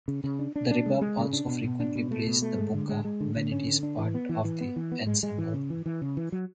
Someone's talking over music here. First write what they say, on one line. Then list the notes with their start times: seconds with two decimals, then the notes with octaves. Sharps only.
The rebab also frequently plays the buka when it is part of the ensemble.
0.08 C#3
0.24 C#3
0.39 D4
0.56 D4
0.71 D4
0.86 G#3
1.01 G#3
1.17 C#3
1.33 D4
1.48 B2
1.64 B2
1.80 D4
1.95 B2
2.11 A3
2.27 B2
2.42 A3
2.58 G#3
2.74 D3
2.89 G#3
3.05 G#3
3.20 D3
3.36 D3
3.52 C#4
3.67 D3
3.83 D4
3.98 E3
4.14 B3
4.29 E3
4.44 E3
4.61 B3
4.76 E3
4.92 B3
5.07 G#3
5.23 G#3
5.38 E3
5.54 C#3
5.70 E3
5.86 E3
6.02 C#3
6.17 E3
6.32 F#3